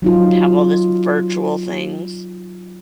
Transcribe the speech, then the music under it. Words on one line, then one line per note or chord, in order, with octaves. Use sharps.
have all this virtual things.
F#3 D#4 F4